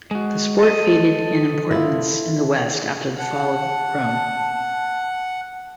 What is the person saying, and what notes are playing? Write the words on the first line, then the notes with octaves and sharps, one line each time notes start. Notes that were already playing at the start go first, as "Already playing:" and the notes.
The sport faded in importance in the West after the fall of Rome.
G#3 F#4
A4 D#5
E4 F4
F#5 A5